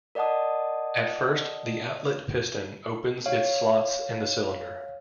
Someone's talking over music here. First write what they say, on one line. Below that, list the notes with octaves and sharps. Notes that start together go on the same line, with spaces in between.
At first, the outlet piston opens its slots in the cylinder.
A#4 D5 D#5 F#5 A5 D#6
C#5 F5